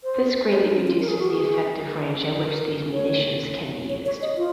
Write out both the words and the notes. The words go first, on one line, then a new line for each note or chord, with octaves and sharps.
This greatly reduces the effective range at which these munitions can be used.
C5
C#5
D#4
C#4
F4
A#4
G#4
F#4
G#4
A#4
C#5
C#5
C#5
D#5
F4